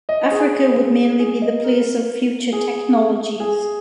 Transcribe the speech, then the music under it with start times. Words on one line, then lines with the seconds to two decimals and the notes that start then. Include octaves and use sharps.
Africa would mainly be the place of future technologies.
0.09 D#5
0.31 G#4
1.19 G#4
1.42 D#5
1.64 A#4
2.52 G#4
3.40 G#4